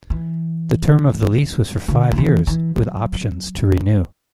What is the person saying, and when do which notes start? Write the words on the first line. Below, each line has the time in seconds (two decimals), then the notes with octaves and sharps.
The term of the lease was for five years, with options to renew.
0.10 E3
1.88 D3
2.12 D3
2.18 E3
2.47 E3
2.77 F#3